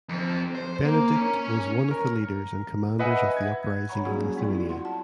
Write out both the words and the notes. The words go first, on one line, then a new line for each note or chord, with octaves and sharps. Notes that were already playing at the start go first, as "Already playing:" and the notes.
Benedykt was one of the leaders and commanders of the uprising in Lithuania.
F2 C4
C5
A#3
C#4 C#5
A#4
B4 D#5 E5 F#5 G#5
G#6
C#5 F#5 A#5 B5 C#6
F#3 G3 A#3 C#4 F#4 G#4
C4 E4 F4 D5 F5
F#4
F#5 C6
A5